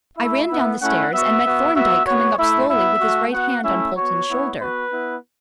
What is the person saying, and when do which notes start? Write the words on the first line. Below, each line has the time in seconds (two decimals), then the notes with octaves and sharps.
I ran down the stairs and met Thorndyke coming up slowly with his right hand on Polton's shoulder.
0.17 A3 E4 E5
0.48 B3 E4
0.80 A3 C#4 E4 F#5
1.11 B3 F#4 E5
1.44 B3 F#4
1.75 B3 F#4 E5
2.06 B3 F#4 C#5
2.37 A3 E4 E5
2.69 B3 E4 E5
3.00 A3 F#4
3.32 B3 F#4 F#5
3.63 A3 C#4 E4 E5
3.95 B3 F#4 C#5
4.27 B3 E4
4.58 B3 F#4 B4
4.90 B3 E4